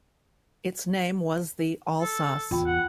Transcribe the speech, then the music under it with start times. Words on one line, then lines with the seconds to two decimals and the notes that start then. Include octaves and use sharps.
Its name was the "Alsace".
2.01 A4
2.51 E2 F4 G5 B5
2.67 F#5